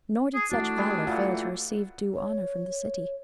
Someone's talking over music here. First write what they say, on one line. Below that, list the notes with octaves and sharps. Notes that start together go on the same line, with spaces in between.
Nor did such valor fail to receive due honor from the city.
G#4
A3 D4 E4 F#4
G4 G#4 B4
A#2 E3 A3 F4 F#5
C#5